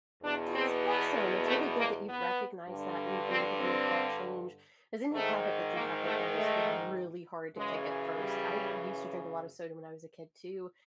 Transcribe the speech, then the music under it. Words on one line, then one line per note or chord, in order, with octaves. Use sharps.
That's awesome. It's really good that you've recognized that and you've been able to make that change, as any habit that you have like that is, uh, really hard to kick at first. I used to drink a lot of soda when I was a kid too,
E2 B2 D4
C4
B3
A3
A#3
B3
G2 D3
C4
C4
G#2 D#3 A3
A#3
A3
A3
F#2 C#3 E3 G#3
G3